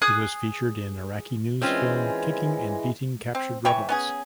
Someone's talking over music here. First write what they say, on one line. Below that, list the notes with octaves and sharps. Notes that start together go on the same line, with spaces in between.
He was featured in Iraqi news film kicking and beating captured rebels.
G#4 D#6 F#6
E3 G#3 C4 C#4 F4
C4
E3 C#5 G5 C#6
B3 C#4 G#4